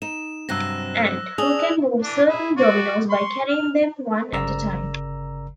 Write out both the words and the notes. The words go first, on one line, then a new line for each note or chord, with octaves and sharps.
Ant, who can move certain dominoes by carrying them one at a time.
D#4 E7
G2 C3 F#3 E6 F#6 A#6
D4 G#4 D#6 E6 F7
E3 D4
E4 G#4
F#4 D5
C6 C#6
F6
G1 C#3 A#4 D5 A#5 E6